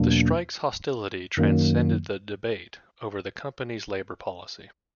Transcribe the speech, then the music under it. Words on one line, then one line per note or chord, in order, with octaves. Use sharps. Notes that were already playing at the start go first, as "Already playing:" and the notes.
The strike's hostility transcended the debate over the company's labor policy.
Already playing: E2 B2 F#3 A#3 D4
F#2 D#3 F#3 A#3